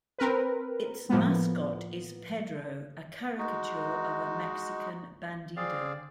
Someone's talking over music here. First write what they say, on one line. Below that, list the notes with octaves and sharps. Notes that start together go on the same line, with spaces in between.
Its mascot is Pedro, a caricature of a Mexican bandido.
C4 A#4 B4
A2 F3 A#3 B3
G#3 D#4 F#4
C4 G#4 D5 F5